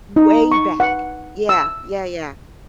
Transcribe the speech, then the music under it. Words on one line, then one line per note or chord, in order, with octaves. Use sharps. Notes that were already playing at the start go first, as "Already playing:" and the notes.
Way back. Yeah. Yeah, yeah.
D#4
C#6
F#5
E6